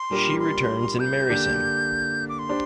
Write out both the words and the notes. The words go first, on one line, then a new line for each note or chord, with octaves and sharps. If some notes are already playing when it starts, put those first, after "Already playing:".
She returns and marries him.
Already playing: C6
A#2 G3 D4 G4 A#4
C6
G6
D3 A#3 D4 G4
D6
C6
D4 G4 C5